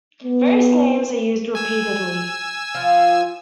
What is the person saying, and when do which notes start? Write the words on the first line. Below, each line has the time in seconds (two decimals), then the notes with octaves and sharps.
Various names are used repeatedly.
0.24 B3
1.55 G#5 E6
2.75 F3 F4